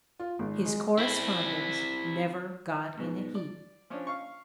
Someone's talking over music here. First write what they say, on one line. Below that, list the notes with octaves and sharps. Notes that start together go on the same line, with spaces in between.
His correspondence never got in a heap.
F4
G#1
G#3
C4 E4
G#2 B2 B3
D5
F3 C#4 D4
F5 C#6